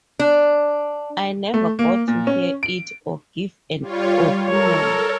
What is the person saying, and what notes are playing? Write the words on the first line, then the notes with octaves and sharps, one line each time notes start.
I never got to hear it or give an opinion.
D4
A3
A#3
A#2
C#4
D7
G3 F4 C#5
A4 A#4 C#5